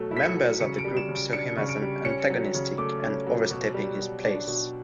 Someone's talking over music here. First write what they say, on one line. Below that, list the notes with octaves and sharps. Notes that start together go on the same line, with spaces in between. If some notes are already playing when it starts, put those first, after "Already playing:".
Members of the group saw him as antagonistic and overstepping his place.
Already playing: B2 F#3 A3
E4
B6
C#7
F#3
C#3 C#7
D7
G3
E7
C#3
D7
D4 C#7
C#3
D7
G3
C#4 C#7
F#3
C#3
A3 D6
C#4
F#3
B2
G3
B2
D4
B2